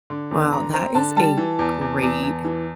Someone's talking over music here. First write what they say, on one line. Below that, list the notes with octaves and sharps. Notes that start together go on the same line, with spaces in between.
Well, that is a great
D3
E2
D3 A#5
C4 A#5
D3 A5
G3 A5
E3
E2
E2
E2
E2
E3